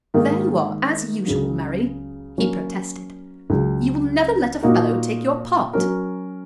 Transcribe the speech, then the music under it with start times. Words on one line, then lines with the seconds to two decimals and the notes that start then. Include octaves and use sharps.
"There you are, as usual, Mary!" he protested; "you will never let a fellow take your part!"
0.14 G#2 D#3 A#3 D#4 A#4
1.26 C#2 C#3 F#3
2.38 F#3 A#3 C#4 A#4
3.50 C#2 C#3 F#3
4.63 A#2 A#3 D#4 F#4 A#4
5.73 F#3 C#4 A#4